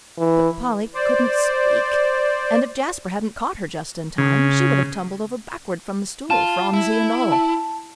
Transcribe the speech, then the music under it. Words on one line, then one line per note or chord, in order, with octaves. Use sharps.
But Polly couldn't speak; and if Jasper hadn't caught her just in time, she would have tumbled over backward from the stool, Phronsie and all!
E3
C5 D5
C#3
F4 A5 E7
E4
A5